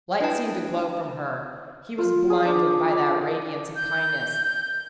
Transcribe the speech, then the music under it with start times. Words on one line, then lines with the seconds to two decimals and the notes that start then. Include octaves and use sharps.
Light seemed to glow from her; he was blinded by that radiance of kindness.
0.20 D4 E4 B4 G5 A5
1.98 F4
2.30 G#4
2.45 D4
2.89 D6
3.76 G6